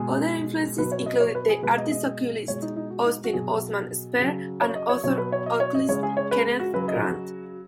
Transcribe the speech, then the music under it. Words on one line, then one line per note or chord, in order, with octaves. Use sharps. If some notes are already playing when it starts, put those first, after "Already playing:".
Other influences included the artist-occultist Austin Osman Spare and author-occultist Kenneth Grant.
Already playing: B2 G#3 G#4
B2 F#3 B4
C#5
D#5
C#5
B4
G#4
B2 G#3 B4
D#5
D#5
B2 G#3 C#5
D#4
D#4
F#4
D#4
F#4
B2 F#3 G#4
C#3 F#3
C#5
D#5
C#5
B2 F#3 C#5
B4
C#5
D#5
C#5
D#5
C#3 G#3 C#5
G#4
C#5
B4
F#4
C#3 F#3 B4
D#5
F#4